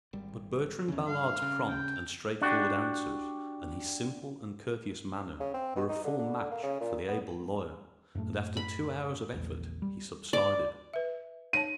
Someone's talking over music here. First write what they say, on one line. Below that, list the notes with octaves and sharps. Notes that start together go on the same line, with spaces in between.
But Bertrand Ballard's prompt and straightforward answers, and his simple and courteous manner, were a full match for the able lawyer, and after two hours of effort he subsided.
G#1 G3
E2 C#3
G2 F5
C#3
G5
D4 F#4 G4
C#3
C4
B2
D#4
D3
D3
A#3
C#3
A#2
B3
F#2 A2 A3
B5
A#1 E2
G3
D5
B4 E5
D#4 C#5 A5 D#7